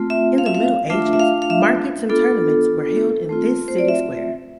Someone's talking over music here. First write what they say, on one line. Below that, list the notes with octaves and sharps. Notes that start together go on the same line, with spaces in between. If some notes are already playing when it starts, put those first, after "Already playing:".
In the Middle Ages, markets and tournaments were held in this city square.
Already playing: A3 C4 F4
E5
F5
E5
F5
A3 D4 F4 E5
E5
F5
F5
E5
B3 D4 F4 A4
A3 C4 F4
C5
D5
E5